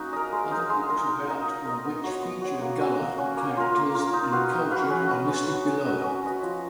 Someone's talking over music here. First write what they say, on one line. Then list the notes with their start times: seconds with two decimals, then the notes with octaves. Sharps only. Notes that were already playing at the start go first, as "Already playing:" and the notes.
Other books about or which feature Gullah characters and culture are listed below.
Already playing: F#3 A#3 C#4 D#4 F#4
0.13 A#4 D#5
0.32 G#3
0.51 D#4 A#4
0.70 G#3
0.89 D#4 A#4
1.08 D#4
1.28 A#4 D#5
1.46 D#4
1.66 A#4 D#5
1.85 B3
2.04 F#4 C#5
2.23 B3
2.42 F#4 C#5
2.61 A#3
2.80 C#4 F#4
3.00 A#3
3.18 C#4 F#4
3.37 A#3
3.57 F4 A#4
3.76 A#3
3.95 F4 A#4
4.13 D#4
4.32 F#4 B4 F5
4.52 D#4
4.71 F#4 B4 F5
4.90 C#4
5.09 F#4 B4
5.27 C#4
5.47 F#4 B4
5.66 C#4
5.86 F#4 B4 D#5
6.04 C#4
6.23 F#4 B4 D#5
6.43 F3